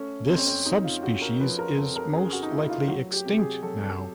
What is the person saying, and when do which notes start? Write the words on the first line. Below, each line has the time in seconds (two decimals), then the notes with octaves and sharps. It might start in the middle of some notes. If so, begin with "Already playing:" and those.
This subspecies is most likely extinct now.
Already playing: A3 C#4
0.29 F2 C4
0.38 C#4
0.47 C4
0.66 F2 D#4
0.84 F4
1.03 C#3 F#4
1.22 A#4
1.40 F3 B4
1.59 A#4
1.77 F2 A4
1.96 A#4
2.14 C#3 G#4
2.33 F#4
2.43 D#4
2.51 A3 E4
2.70 F4
2.88 F#3 F#4
3.13 G4
3.25 C3 G4
3.38 G#4
3.62 F#3 A4